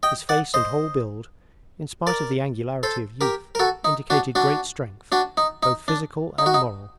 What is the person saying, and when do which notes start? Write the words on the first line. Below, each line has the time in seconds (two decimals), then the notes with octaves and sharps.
His face and whole build, in spite of the angularity of youth, indicated great strength, both physical and moral.
0.03 D#5 G5
0.29 D5 F#5
0.54 C5 D#5
2.07 A#4 D5
2.83 A4 C5
3.21 G4 A#4
3.55 A#4
3.59 F#4 A4
3.85 D#4
4.10 D4 F#4
4.35 D4 F#4
5.12 D4 F#4
5.37 D#4
5.63 D#4
5.88 D4
6.39 D#4
6.46 F#4
6.54 D#4